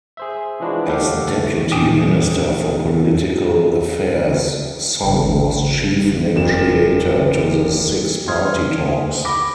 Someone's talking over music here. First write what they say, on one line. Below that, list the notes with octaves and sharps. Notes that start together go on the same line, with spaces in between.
As Deputy Minister for Political Affairs, Song was Chief Negotiator to the Six-Party Talks.
G#4 C5 E5
E3 F3 G#3 D4 E4 F#4
G4 A4 F5 F#5
A3
A#1 G5 G#5 D#6 D7 E7
G#1 C#3
F#1 E7
C6 D#6 F6 G#6
B5 D6 A#6